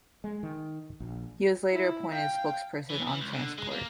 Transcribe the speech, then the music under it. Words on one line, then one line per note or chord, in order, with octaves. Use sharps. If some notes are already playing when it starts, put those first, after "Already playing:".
He was later appointed spokesperson on Transport.
G#3
D#3
A#1
E4
F5 G5
E3
E3
C#2
D3
G#3
A#3